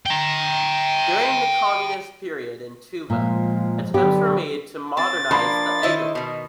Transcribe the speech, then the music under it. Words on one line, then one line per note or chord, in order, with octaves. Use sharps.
During the communist period in Tuva attempts were made to "modernize" the igil.
G5 A#5
A#2 F3 G#3
D3 F#3 B3 G4
C4 A6
F3 A#3 D4 B5 C6
D#3 E4 D#5
B2 D#3